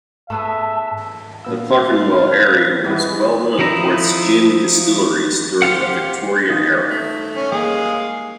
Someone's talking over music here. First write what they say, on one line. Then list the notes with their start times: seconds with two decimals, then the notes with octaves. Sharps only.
The Clerkenwell area was well known for its gin distilleries during the Victorian era.
0.30 G#2 A3 B3 G#4 E5 A5
1.45 A#2 B3 F5 E6
2.84 G#2 E3 G3 B3 E4
3.59 F3 D#4 E4 A#5
5.62 G4 C5 F5 F#5
6.50 D#4
6.90 A3
7.37 C#4
7.52 G#3 A#3 G#4 F5